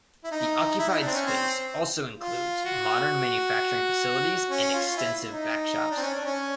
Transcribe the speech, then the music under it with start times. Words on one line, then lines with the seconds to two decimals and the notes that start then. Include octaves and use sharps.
The occupied space also includes modern manufacturing facilities and extensive back shops.
0.24 E4
0.32 D#4
0.79 E4
0.89 D#4
1.01 D4
1.07 C4
1.13 C#4
1.25 C4
2.18 F4
2.65 F#4
4.50 C#4
4.73 F4
4.97 E4
5.28 D#4
5.90 D4
5.97 C4
6.02 C#4
6.14 D4
6.25 C#4